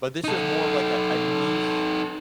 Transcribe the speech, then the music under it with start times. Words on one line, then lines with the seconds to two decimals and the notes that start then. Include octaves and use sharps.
but this was more of, like, a a niche
0.24 D#4 A4